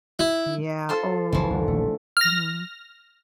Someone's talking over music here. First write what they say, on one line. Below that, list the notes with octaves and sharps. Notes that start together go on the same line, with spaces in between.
Yeah, ooh. Mhm.
E4
F4 A4 C5
F#1 C#2 E3 F3
C2 F2 D3 F#3
D#1 A#1 A#2 A3
F6 A#6